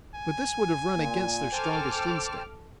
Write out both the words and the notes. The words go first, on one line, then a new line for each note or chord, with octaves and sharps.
But this would have run against their strongest instincts.
G#5
A#2
A4 C5 G5 A5 D6 F6